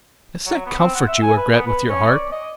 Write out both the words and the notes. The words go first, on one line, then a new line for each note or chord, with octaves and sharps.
It's not comfort you regret, with your heart!
F#3
B3
C4
F#5
E5
G#5
B4
B3
B4
C#4
D5
D#5